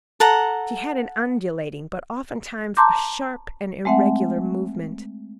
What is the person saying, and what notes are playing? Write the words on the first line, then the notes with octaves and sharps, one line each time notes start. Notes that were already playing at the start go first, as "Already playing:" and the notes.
She had an undulating, but oftentimes a sharp and irregular movement.
A4 F#5 A#5
A5 A#5 C6 D6 G6
G#3 A3 C4 E5 F#5